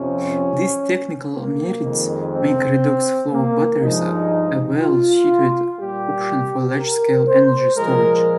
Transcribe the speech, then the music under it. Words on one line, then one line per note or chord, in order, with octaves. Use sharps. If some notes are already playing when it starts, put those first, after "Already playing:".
These technical merits make redox flow batteries a well-suited option for large-scale energy storage.
Already playing: F2 C3 F3 C#4
A#3
F2 D#3 G#3
C4
A#3
G2 F3 G#3 D#4
F4
A#2 G3 G4
A#4
C5
A#2 F3 G#3 A#4